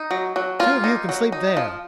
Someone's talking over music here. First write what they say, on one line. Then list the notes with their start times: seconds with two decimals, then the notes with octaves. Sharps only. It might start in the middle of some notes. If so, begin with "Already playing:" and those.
"Two of you can sleep there."
Already playing: D#4
0.11 F#3
0.36 F#3
0.60 A#3 F4
0.84 D#4
1.09 F#3
1.32 D#4
1.57 F3